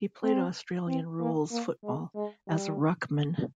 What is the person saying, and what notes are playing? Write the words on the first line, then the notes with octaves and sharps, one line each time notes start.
He played Australian rules football, as a ruckman.
C4
C4
A#3
A#3
G#3
G#3
G3